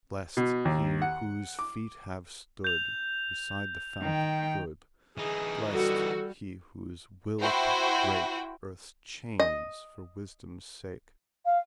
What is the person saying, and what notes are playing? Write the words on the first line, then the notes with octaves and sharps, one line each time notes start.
Blest he whose feet have stood Beside the fount of good; Blest he whose will could break Earth's chains for wisdom's sake!
B2
D#2
F#5
D6
G6 F7
D#3 G5
E3 D#4 G#4
G3 F#4 A4
E4 F#4 C5 G5
D#5
F5